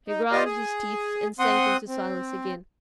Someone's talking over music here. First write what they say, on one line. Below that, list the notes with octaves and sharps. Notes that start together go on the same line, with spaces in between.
He ground his teeth and sank into silence again.
D#4
F4 G4 D5 D#5 F5
G#4
C4 F#5 C6 D#6
C4